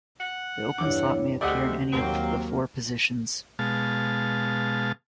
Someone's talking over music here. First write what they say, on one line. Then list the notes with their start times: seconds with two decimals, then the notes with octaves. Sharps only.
The open slot may appear in any of the four positions.
0.20 F#5
0.78 E2 G2 D4 E4 C#5 D6
1.41 D2 C3 G#3 A3 G4 D5 D#5 F#5
1.93 D#2 F#3 A#3 C4
3.59 B2 G#3 F5 A5